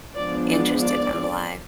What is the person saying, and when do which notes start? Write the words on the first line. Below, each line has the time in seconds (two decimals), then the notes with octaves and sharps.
interested and alive.
0.15 F3 G#3 B3 D4 D5
0.48 D5
0.80 D5